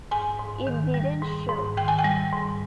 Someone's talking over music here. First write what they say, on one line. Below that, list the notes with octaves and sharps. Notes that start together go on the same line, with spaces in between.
It didn't show.
G#2 G#5
G#2
D#3
G3
G#2
G#2
D#3 G5
G#5
G5
G3
G#2